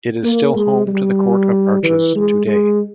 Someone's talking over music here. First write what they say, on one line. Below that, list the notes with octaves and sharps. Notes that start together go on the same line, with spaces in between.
It is still home to the Court of Arches today.
A#3
G#3
G3
E3
G#3
G#3